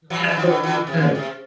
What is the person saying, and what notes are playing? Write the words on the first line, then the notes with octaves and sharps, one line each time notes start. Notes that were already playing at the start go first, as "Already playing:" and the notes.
you have to look at your phone?
E3 F#3
F3 G3
E3 F#3
D#3 F3
D3 E3
D3 E3
C3
C#3
C3